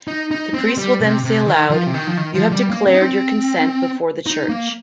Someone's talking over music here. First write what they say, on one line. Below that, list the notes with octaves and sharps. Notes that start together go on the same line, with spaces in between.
The priest will then say aloud You have declared your consent before the Church.
D#4
D#4
C4
G3
C3
C3
D#3
F3
C3
D#3
F3
D#3
F3
G3
A#3
C4
D#4
C4
D#4
A#3